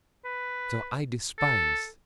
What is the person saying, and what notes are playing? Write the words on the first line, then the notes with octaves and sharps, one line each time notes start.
So I despise.
B4
A4